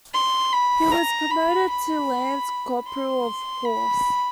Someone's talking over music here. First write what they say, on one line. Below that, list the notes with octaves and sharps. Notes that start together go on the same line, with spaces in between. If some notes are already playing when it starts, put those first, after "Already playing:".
He was promoted to Lance-Corporal of Horse.
C6
B5
A#5
B5
B5
C6
B5